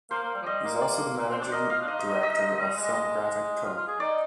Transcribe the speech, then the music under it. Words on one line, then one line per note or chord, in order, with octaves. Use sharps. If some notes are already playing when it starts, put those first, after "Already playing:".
He is also the managing director of "Filmgrafic Co".
A#3 C5
A#3
G3
F3
G3 D#5
A#3
D5
A#3
C4 C5
D4 D5
A#4 D#5
F4 F5
D4
D#4 D#5
D#5
D#5
D#5
G3
G#3
D#5
F4
F4
G#4
D#4 D5